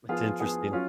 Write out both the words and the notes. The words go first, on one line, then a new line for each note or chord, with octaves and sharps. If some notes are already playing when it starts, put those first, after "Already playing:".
It's interesting.
F3 B3 F4 G#4
F3 B3 F4 G#4
F#3 C#4 F4